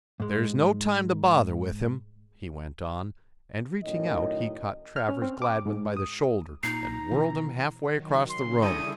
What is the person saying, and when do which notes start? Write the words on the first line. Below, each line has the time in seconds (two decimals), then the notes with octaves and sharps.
"There's no time to bother with him," he went on, and reaching out he caught Travers Gladwin by the shoulder and whirled him half way across the room.
0.20 G#2 G#3
3.84 F#2 A2 D#3 D#5
4.96 F6
5.09 C#4
5.22 C4
5.42 D6
5.66 G#2
5.97 D#6
6.63 A#2 D#4 A#5 C7
7.11 B2 E3
7.87 D#3 F#3
8.30 C#3 C6
8.62 C#3 G3 E4 G#4 A4 D#6